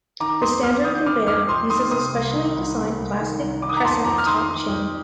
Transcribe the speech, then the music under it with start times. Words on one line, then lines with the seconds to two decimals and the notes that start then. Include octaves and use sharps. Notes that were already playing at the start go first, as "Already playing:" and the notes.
The standard conveyor uses a specially designed plastic crescent top chain.
0.20 D#3 A#5 D6
0.41 F2 C6 D#6
0.63 F2 D6 F6
0.84 D#3 D#6 G6
1.06 D#3 D6 F6
1.27 F2 D6 F6
1.48 F2 C6 D#6
1.70 D#3 C6 D#6
1.91 C3 C6 D#6
2.13 C2
2.35 D#3
2.56 C2
2.77 C3
2.98 C2
3.20 D#3
3.41 C2
3.62 D#3 D6
3.69 D#6
3.77 A#5 D6
3.84 F2 A5 C6
4.05 F2 A#5 D6
4.18 F6
4.26 D#3 C6 D#6
4.48 D#3
4.69 F2